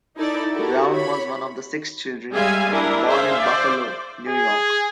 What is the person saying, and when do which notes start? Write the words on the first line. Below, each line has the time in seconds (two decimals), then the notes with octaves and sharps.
Brown was one of six children, born in Buffalo, New York.
0.17 D#4 E4 A4 D5
0.52 E4 F#4 G4 A4 A#4
0.94 C#5 B5
2.33 G3 G#3 G#4 E5 F5 G#5
2.70 D4 E4 A#4
3.08 G#4 C5 E5 F5
3.39 C5 D5
4.28 G#4